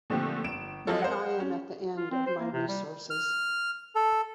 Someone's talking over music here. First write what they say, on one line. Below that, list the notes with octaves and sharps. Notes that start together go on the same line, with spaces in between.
But I am at the end of my resources.
A#2 D3 F3 A3 C4 G4
G1 D7 E7
F3 F#3 G#3 F4 A4 C#5
A#4 C5 F5 F#5
C#4
F4
C4
C5
A#3
C3
G3
F6
A4